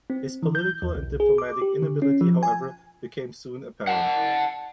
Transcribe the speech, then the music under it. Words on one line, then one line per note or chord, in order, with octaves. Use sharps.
His political and diplomatic inability however became soon apparent.
C4
E3
G6
E2
B1
G#4
D6
G4
D3
C#4
F3
G#5
F#5 A5